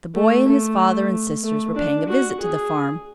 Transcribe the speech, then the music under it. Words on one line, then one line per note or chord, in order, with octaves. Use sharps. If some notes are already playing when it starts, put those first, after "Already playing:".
The boy and his father and sisters were paying a visit to the farm.
A3
A3
A3
D4
F#4
G#4